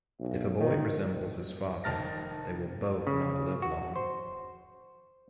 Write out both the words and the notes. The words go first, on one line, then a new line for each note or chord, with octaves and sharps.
If a boy resembles his father, they will both not live long.
B1
D#3
F1 D#3 A5 F6 A6 A#6
C#3
F#4
C5